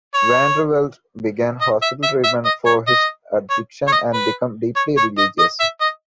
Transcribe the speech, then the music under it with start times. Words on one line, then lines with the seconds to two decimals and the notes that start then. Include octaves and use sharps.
Van der Velde began hospital treatment for his addiction and became deeply religious.
0.14 C#5
1.61 D#5
1.82 E5
2.03 E5
2.24 E5
2.45 D#5
2.66 C#5
2.87 D#5
3.50 C#5
3.88 C#5
3.92 D#5
4.13 B4
4.76 C#5
4.97 C#5
5.18 D#5
5.39 D#5
5.60 E5
5.81 D#5